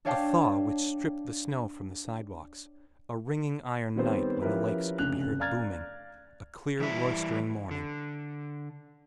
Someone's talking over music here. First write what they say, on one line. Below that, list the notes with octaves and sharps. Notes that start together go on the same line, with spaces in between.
A thaw which stripped the snow from the sidewalks; a ringing iron night when the lakes could be heard booming; a clear roistering morning.
D4 C#5 D5 F5 G5 A5
D#3 G3 B3 C4 C5 C#5
F3 C#4 E4 G4 A#4 B4
F1 C#3 D4 F#6 F7
D5 F5 A#5 F6 G#6 A6
E3 G3 E4
D3